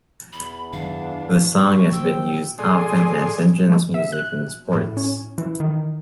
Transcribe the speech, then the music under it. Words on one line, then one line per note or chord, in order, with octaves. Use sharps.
The song has been used often as entrance music in sports.
E2 B5
F#2 D#3 F#3 D4 F5
D2 C#6
D3 F#3 A3 C5 G5 E6
G#4 A4 D5 G#5 C6 D#6
E5
F#6
A2
C#4
E3
D#3